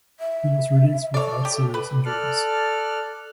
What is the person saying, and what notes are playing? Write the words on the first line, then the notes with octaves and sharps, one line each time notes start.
He was released without serious injuries.
E5
A4 C#5 D5
G4
B4
A4 D5 F6 F#6